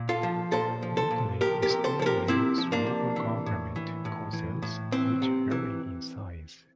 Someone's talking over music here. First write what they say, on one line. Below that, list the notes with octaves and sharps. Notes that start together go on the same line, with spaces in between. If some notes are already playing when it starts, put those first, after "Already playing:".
Locally, Estonia elects local government councils, which vary in size.
Already playing: A#2
F4 A4
F3
A#2 A4 C5
F3
A4 C5
A#2
F3 G4 A#4
G4 A#4
C3
A4 C5
F3 A4
G4 A#4
C3 C4 E4
F3
A#3 D4
C3
E3
A2
E3
A2
E3
A2
E3 C4
C3
E3